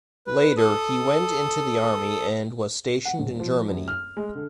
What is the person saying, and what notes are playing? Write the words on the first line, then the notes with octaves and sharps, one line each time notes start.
Later, he went into the army and was stationed in Germany.
B4
A4 D#6
F#5
D#1
F3
F#2
F6
G#3
D3